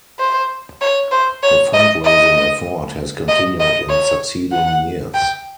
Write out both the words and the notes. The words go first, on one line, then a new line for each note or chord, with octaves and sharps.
The fund raising effort has continued in succeeding years.
C5
C#5
C5
C#5
D#5
D#5
D#5
D#5
C#5
F#5
G5